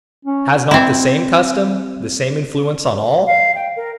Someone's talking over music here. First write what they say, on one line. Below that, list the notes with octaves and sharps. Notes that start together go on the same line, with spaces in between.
Has not the same custom the same influence on all?
C#4
C4 E4
F5
G5
A#4